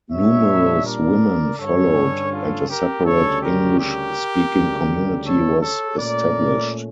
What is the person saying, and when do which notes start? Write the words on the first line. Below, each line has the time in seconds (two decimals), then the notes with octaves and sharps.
Numerous women followed and a separate English-speaking community was established.
0.12 A#2 G3 D4 C#5 E5
0.86 A#4 D5
1.59 G2 D3 G3 C#4 A4 C#5
2.32 F4 A4
2.69 G4 A#4
3.05 D2 C#3 G3 C#4 A4 C#5
3.42 G4 A#4
3.79 G4 A#4
4.52 D2 C#3 G3
5.26 A4 C#5
5.62 A4 C#5
5.98 A#2 A3 C#4 A#4 D5